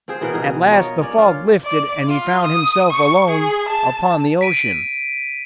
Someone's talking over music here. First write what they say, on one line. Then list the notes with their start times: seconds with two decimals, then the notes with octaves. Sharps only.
At last the fog lifted, and he found himself alone upon the ocean.
0.08 C4 F4 G#4 C5
0.21 B2 E3 B3 A#4
0.34 B2 E3 D#4 G#4
0.70 F4 A#4 C#5 D#5
1.01 C#4 C#5 D5
1.18 C#4 F4
1.64 D5
2.08 F4
2.44 D#6
2.90 C#6
3.29 G#4
3.69 A5
4.41 B6 D7 D#7